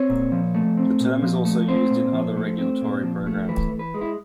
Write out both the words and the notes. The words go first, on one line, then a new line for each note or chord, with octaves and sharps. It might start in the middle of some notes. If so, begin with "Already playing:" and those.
The term is also used in other regulatory programs.
Already playing: C4 C#5
A#2
F3
A3
C4
A#2
F3
A3
C4 C5
A#2
F3
A3
C4
A#2
F3
A3
E3 B4
E3
B4
G#3
E4